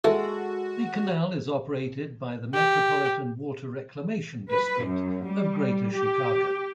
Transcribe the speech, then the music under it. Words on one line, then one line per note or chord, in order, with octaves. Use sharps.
The canal is operated by the Metropolitan Water Reclamation District of Greater Chicago.
E3 G#3 F#4 A4
G4
B4
F#2
G3
G4